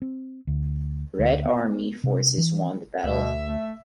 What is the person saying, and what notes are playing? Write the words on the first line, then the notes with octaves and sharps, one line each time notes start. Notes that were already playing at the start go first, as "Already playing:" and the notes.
Red Army forces won the battle.
C4
D2
D2
B3
C3
E3
D2 B2 E5
A3